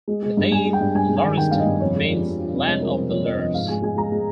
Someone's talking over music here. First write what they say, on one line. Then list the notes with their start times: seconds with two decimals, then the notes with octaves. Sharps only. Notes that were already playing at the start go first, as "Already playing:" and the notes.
The name "Lorestan" means "land of the Lurs".
0.08 G#3
0.23 G#3
0.37 G2
0.51 G2 G#5
0.65 G#3
0.73 G5
0.80 G2
0.95 G2 G#5
1.08 G#3
1.16 G#5
1.24 D#3
1.37 D#3 G5
1.51 G2 F5
1.60 D#5
1.66 G2
1.81 F2 C#5
1.95 G#3
2.11 F3
2.25 F2
2.38 F3
2.53 C3
2.61 D#5
2.67 G#3 C#5
2.82 F3 A#4
2.89 C5
2.96 C3
3.10 F3 C#5
3.25 F2 D#5
3.39 F3 D#5
3.54 G#2 F5
3.68 G#3 G#5
3.82 G#3 G#5
3.97 G#3 A#5
4.12 G#3